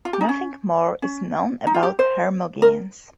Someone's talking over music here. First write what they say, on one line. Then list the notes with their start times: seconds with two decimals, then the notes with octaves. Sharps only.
Nothing more is known about Hermogenes.
0.05 F4
0.13 G4
0.21 D#4
0.29 C#4
1.02 C#4
1.67 D#4
1.74 F4
1.83 G4
1.99 C5
2.62 A#4